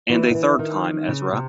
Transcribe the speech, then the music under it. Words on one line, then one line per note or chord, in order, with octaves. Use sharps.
And a third time - Ezra!
E3
D#3
E3
D#3
C#3
C3